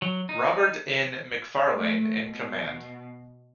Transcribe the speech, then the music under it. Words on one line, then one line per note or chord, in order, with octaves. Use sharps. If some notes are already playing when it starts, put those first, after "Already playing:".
Robert N. McFarlane in command.
F#3
D#4
A3
B2